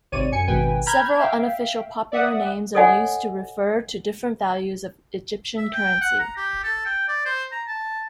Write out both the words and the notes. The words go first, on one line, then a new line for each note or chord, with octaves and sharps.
Several unofficial popular names are used to refer to different values of Egyptian currency.
G#1 C3 C#5 D5 D#7
F#2 G#5 C#7
G#1 B2 B4 G5 G#5
A#5 B5 F6 G6 G#6
E5 F5 G5
D5 E5 F#5 D#6
A4 C#5 D#5 F#5 G#5
E5
G5
F#5
A#5
G4
A4
G5
D5
C5
A#5
A5